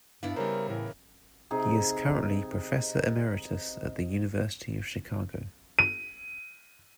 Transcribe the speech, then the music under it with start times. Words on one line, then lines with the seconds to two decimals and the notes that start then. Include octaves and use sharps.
He is currently professor emeritus at the University of Chicago.
0.23 G2 B3 D4 E4 F5
0.36 C#3 G3 C#4 A#4 C5
0.69 A2 E3 A#4
1.51 C3 D#4 G#4
5.79 D#7